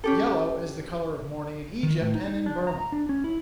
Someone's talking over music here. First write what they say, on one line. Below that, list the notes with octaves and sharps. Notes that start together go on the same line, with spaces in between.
Yellow is the color of mourning in Egypt and in Burmah.
C#4 G4 A4
D#3
A2
D#4
D#4
D4
A#5
D4
C#4
E4